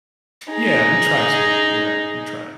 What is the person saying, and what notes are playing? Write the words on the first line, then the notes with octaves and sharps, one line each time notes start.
Yeah, we try to. Yeah, we try.
D#4 G#4